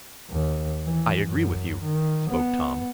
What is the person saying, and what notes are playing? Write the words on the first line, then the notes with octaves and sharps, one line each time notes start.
"I agree with you," spoke Tom.
D#2
E3
F#2
D#3
B3